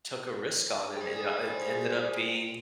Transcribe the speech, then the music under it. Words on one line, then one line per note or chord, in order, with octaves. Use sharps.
took a risk on and it, uh, ended up being
A3 G#4 C5 D5 G5